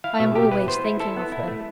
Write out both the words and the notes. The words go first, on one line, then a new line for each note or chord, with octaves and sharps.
I am always thinking of her.
E4 F5
B2 E5
B2 G4
E4 B4
B3 C5
E4
E4 A4
B3
E4
A3